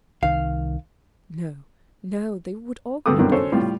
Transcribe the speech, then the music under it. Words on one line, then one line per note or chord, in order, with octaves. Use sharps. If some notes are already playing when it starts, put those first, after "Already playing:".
No, no, they would augment grief.
C2 D#3 F5
D2 G2 G3 A4 D6 D#6
B1 F#2 D3 D#3 G3
C#4 A4 C5 C#5
A2 G3 F4